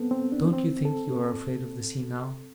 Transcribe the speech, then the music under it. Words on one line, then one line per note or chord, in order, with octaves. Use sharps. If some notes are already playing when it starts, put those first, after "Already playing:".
'Don't you think you are afraid of the sea, now?'
Already playing: B3 C4 A4
C4
D4
C4
A4